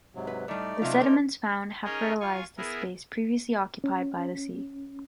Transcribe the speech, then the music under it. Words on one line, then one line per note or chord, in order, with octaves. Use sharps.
The sediments found have fertilized this space previously occupied by the sea.
G#2 C3 F#3
B4
A2 G3 A3 D#4 D5
C3 F#3 F4
A#4 C5
C#4 D#4 G#4 A#4 C#5 D#5
F4 G#5 C#6
B3 E4 G#4 A#4
C#4